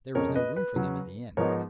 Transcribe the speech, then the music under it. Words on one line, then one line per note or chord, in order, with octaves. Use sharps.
There was no room for them at the inn.
F2 C#3 G#3 C#4 A#4 C#5
B4 D#5
B4
C#3 F#3 C#4
G#2 F3 B3 D#4 A#4 C#5